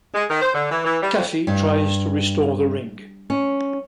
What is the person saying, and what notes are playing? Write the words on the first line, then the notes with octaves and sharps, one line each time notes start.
Caffey tries to restore the ring.
G#3
D#3
C5
D3
E3
E3
G3
F2
G2
C#4